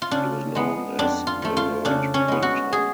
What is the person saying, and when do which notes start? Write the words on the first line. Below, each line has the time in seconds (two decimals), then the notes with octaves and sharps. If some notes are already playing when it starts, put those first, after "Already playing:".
He was known as the learned printer.
0.02 F4
0.11 C#3 D4
0.55 G#3 B3
0.99 F2 D4
1.27 F4
1.42 F3 A3
1.57 F4
1.85 C#3 D4
2.14 C#4
2.28 G#3 B3
2.42 F#4
2.73 G#4